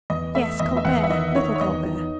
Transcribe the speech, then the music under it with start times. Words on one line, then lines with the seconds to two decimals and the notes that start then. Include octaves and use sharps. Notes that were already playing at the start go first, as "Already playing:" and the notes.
"Yes, Colbert, little Colbert."
0.10 E2 D#5
0.35 A3 E5
0.60 E2 D#5
0.77 E5
0.85 E2 F#5
1.03 E5
1.10 D#3 D#5
1.35 D#3 C#5
1.56 C#5
1.61 E2 D#5
1.85 D#4